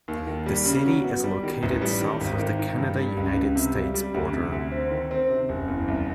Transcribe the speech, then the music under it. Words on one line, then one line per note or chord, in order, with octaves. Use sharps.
The city is located south of the Canada–United States border.
D#2
D#3
G3
C#3
F#3
B3
G3
D#3
A1
G3
D#3
G#1
D#3
D#3
G2
G3
C#2
C#2
C3
G3
G3
D2
C3
D2
C4
D#3
C4
C3
F#1
E2
C2